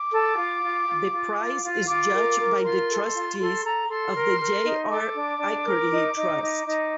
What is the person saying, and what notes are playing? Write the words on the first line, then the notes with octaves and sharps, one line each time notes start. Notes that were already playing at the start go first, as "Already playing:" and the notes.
The prize is judged by the trustees of the J. R. Ackerley Trust.
Already playing: D6
A4
F4
F4
F4
F4
F4
F4
F4 D6
A#4
A#4
F4 C6
A4
F4
A4 C6
A4 A#5
A4 C6
A#4
A#4
D#4
A4 D6
D4
D4
A#4
D#4
D#4
D#4
D#4